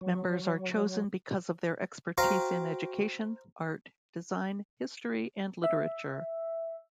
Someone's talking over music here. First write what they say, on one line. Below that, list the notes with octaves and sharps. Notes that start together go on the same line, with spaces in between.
Members are chosen because of their expertise in education, art, design, history, and literature.
F#3
F#4 C5 F5 G5 A#5
E5